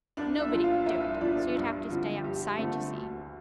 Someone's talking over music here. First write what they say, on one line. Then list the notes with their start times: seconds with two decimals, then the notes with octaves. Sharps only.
"Nobody would do it; so you'd have to stay outside, you see."
0.17 C2 D4 D5
0.41 E4 E5
0.52 A#2 F3
0.63 F4 F5
0.86 C2 E4 E5
1.21 A#2 F3 D4 D5
1.55 G2 E4
1.91 D3 F3 C4
2.24 G2 G3 G4
2.59 D3 F3 A3 C4 A4
2.93 D2